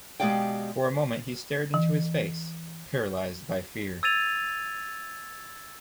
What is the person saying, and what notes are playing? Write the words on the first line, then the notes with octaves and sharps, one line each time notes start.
For a moment he stared into his face — paralysed by fear.
B2 G#3 G4 D5 F5 G5
E3
E6 G#6 A6 D#7 F7